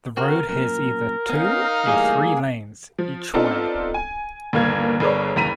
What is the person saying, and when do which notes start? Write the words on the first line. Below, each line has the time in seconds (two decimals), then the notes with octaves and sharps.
The road has either two or three lanes each way.
0.17 C4 F#4 A#4
0.49 F#2 A#2 A#4
1.29 B3 C#4 D#4 F5
1.86 A2 E3 G3 A#3 G#4
2.98 F3
3.34 B3 C4 D4 D#4 F4 A4
3.94 G#5
4.53 G1 D#2 A#2 A#3 F5 G#6
5.00 G1 G#4 A#4 B4 C#5 D5
5.36 F#1 D#2 A#5 B5 B6 D#7